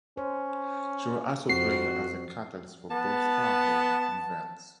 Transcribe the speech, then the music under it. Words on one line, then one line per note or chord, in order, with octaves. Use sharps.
She would also play as a catalyst for both Starhawk and Vance.
C#4 C5
F2 C4 F#4 C7
B3 A5